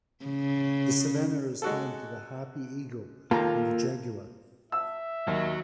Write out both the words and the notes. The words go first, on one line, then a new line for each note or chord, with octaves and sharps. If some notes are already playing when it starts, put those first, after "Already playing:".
The savannah is home to the harpy eagle and the jaguar.
C#3
G#3 F#4 A4
D#2 A#3 F4 A4 A#5
E5 E6
D#2 F#3